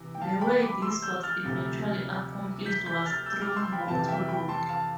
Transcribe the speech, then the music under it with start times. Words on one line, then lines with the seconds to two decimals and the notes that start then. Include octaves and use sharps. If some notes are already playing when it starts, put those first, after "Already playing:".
The way this was eventually accomplished was through motor load.
Already playing: C3 E3
0.15 G5
0.21 F5 A5
0.41 G5 B5
0.62 B5 D6
0.82 C6 E6
1.02 E6 G6
1.23 F6 A6
1.44 D2 C3 F3
2.66 G6 B6
2.86 G6 B6
3.06 F6 A6
3.26 E6 G6
3.41 D6 F6
3.57 C6 E6
3.72 G5 B5
3.87 F2 C3 E3 F5 A5
4.08 E5 G5
4.28 G5 B5
4.49 A5 C6
4.69 F5 A5